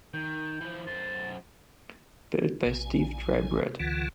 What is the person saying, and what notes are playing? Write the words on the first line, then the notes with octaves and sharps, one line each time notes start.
Built by Steve Drybread.
D#3 G6
E3 F3
F#2 C5 A6
A#1 G#5
C#2 D3 E3 F4 F#5